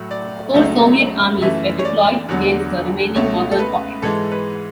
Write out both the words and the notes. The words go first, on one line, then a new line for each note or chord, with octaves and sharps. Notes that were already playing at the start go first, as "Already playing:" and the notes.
Four Soviet armies were deployed against the remaining northern pocket.
Already playing: A2 F#3 A3
D5
C#2 C#3 F#3 A3
F#2 E3 A3 E5
C#5
D5
E2 D3 F#3
C#2 B2 A3 C#5
A4
B4
G#2 E3 G#3 A4
B4